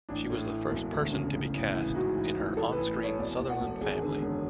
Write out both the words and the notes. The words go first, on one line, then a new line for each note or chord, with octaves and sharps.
She was the first person to be cast in her on screen "Sutherland" family.
A1 D4
A2
E3
E1
D2
C#3
A1
A1
E3
G#2 F#4
E3
A1
A1 A4
B4
A1
E3
C#5
E1 D5
E1
F#5
E1
G#1 G#4
D3
F#2